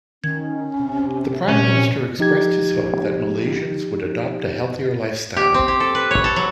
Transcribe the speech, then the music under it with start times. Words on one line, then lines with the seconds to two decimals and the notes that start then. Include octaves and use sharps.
The Prime Minister expressed his hope that Malaysians would adopt a healthier lifestyle.
0.24 D#3 C#4 G#6
0.79 C3
1.49 A#2 C#4
2.19 F3 D#4 G4 G#6
5.37 G4
5.54 C4
5.68 G4
5.80 A4
5.95 B4
6.11 C#5
6.24 A4
6.36 F#3